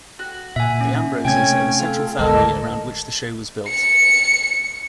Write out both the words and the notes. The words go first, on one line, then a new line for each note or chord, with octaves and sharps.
The Ambroses are the central family around which the show was built.
F#4
A#2 E5 G#5
C#4
C3 A3 C#4 G5 G#5 G#6
F4 A4
G#1 D2 G#3 A#3 A4 A#4 D#5
C#7